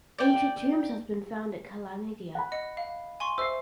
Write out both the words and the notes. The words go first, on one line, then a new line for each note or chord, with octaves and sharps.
Ancient tombs have been found at Kalandia.
D5 G5
F#5 B5
D#5 C#7
F5
G#5 C6 C#6
C5 E5 E6 C7